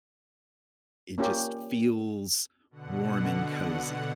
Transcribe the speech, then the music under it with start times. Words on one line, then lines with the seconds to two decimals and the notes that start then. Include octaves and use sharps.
it just feels warm and cozy.
1.18 A#3 C#4 F4 G4
2.71 B2 D3 F#5